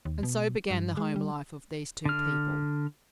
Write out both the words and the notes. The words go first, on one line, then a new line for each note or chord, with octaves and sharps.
And so began the home life of these two people.
D#2
B2
G2
G#3
G3
D3 F6